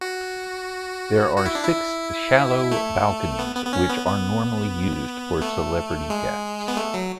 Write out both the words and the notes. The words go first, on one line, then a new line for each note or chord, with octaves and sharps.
There are six shallow balconies which are normally used for celebrity guests.
F#4
F#4
E4
D4
E4
A3
B3
B3
B3
C#4
B3
B3
A3
G#3
B3
A3
F#3